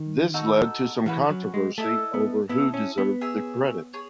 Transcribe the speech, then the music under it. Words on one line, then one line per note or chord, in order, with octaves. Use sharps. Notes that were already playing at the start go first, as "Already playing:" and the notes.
This led to some controversy over who deserved the credit.
Already playing: D#3
D#4 F#4 A4
E3 C#4 F#4 B4
F#3
G#3
A3 E4 A4 D#5 A5
B3
B3 E4 A4 D#5
C#4
B3
G#4 C#5 E5
G#4 C#5